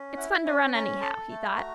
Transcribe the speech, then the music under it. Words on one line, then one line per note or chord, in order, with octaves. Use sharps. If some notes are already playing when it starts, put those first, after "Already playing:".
"It's fun to run, anyhow," he thought.
Already playing: C#4
E4 F#5
C#4 G#5
C#4 A#5
A4 A5
A3 A5
F#4 A#5